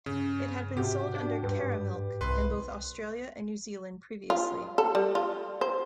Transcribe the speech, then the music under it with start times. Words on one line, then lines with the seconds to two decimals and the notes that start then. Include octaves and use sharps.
It had been sold under 'Caramilk' in both Australia and New Zealand previously.
0.06 G2 C#3
0.77 G#2 C3 F#4 G4
1.15 D4
1.43 G2 B4
2.21 C2 B4 C6
4.30 F4
4.78 A4
4.95 G3
5.15 F4
5.61 C5